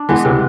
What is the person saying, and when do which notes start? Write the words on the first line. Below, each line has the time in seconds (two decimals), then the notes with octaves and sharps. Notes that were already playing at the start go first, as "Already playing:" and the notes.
What's that?
Already playing: D4
0.09 E3 G#3 B3
0.25 C3